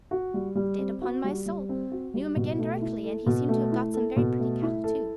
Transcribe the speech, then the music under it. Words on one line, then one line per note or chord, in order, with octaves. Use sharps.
"Did upon my soul; knew him again directly, and he seemed to have got some very pretty cattle too."
F#4
G3
G3
C4
F#4
G3
G3
C4
F#4
G3
B2
A3
E4
A4
B2
A3
E4
A4
B2
A3
E4
A4